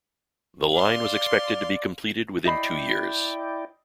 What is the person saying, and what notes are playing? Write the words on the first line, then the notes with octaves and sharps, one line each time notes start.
The line was expected to be completed within two years.
D5 F5 C6
E4 D5 D#5 G5 B5 C7